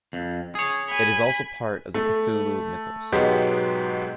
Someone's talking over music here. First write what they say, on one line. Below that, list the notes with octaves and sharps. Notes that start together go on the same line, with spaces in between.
It is also part of the Cthulhu Mythos.
F2
G#4 C#5
G#5 B5
A3
G#2 B2 F#3 G#3 B3 G4